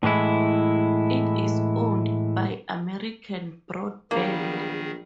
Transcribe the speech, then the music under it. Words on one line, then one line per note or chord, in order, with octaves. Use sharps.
It is owned by American Broadband.
A2 E3 G#3 E4
A#1 D#3 F#3 G3 A#3 B3 G#4